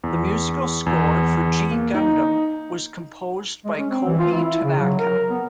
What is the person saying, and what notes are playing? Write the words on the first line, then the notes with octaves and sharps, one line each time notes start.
The musical score for "G Gundam" was composed by Kohei Tanaka.
E2
E2
A#3
D#4
G#3
C#4
C4
E3
F4
E4
C#3
F#3
A#4
B3